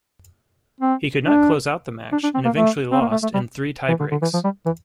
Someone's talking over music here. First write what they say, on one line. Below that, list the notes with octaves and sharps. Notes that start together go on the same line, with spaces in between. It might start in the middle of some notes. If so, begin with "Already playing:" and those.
He could not close out the match and eventually lost in three tiebreaks.
C4
D4
D4
D4
C4
A#3
A3
C4
A#3
A3
A3
G3
E3
D3
D3
E3
F3
G3
E3